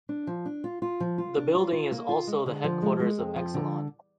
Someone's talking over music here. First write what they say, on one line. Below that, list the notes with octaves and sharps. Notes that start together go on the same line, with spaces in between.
The building is also the headquarters of Exelon.
D4
F3
D4
F4
F4
F3
F4
D4
F4
F4
A#3
F4
G#3
D3
F3
G#3
G#3
F2
F3
D3